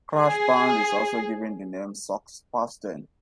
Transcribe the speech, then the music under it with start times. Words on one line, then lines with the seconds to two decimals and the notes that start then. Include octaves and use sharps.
Crash's band is also given the name "Socks Pastels".
0.18 G#4